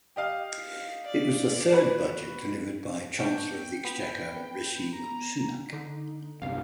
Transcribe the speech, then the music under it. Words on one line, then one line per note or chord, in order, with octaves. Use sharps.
It was the third budget delivered by Chancellor of the Exchequer Rishi Sunak.
G4 D#5 F5
D5
F#4 B4
B3 D4 F#4 G5
B3 B5
A#5
D3 D#4
C2 G2 B2 F5